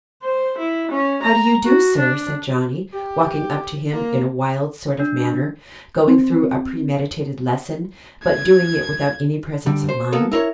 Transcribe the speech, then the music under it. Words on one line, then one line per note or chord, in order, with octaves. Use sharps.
"How do you do, sir?" said Johnny, walking up to him in a wild sort of manner,--going through a premeditated lesson, but doing it without any presence of mind.
C5
E4
C#4
A#5
F#4
D4
G4
A#3
D4
C4
G#6
D3 G3
C5
A#3 B3 A4
E4 A#4 B4 C#5